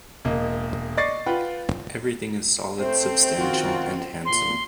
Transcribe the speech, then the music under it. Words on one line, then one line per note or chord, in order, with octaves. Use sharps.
Everything is solid, substantial, and handsome.
E1 A#3 D#5
D5 D#5 C#6 A6 C7
F4 B4 F#5 G5
A3 C4 C5
D#3 F4 F#4
A#2 C6